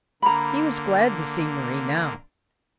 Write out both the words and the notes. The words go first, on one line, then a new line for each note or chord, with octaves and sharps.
He was glad to see Mari now.
D3 A#3 A#5 B5